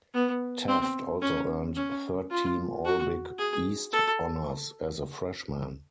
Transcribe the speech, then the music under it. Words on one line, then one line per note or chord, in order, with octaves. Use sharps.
Taft also earned Third Team All Big East Honors as a Freshman.
B3
C4
C#4
C#4
F4
F#4
G#4
A4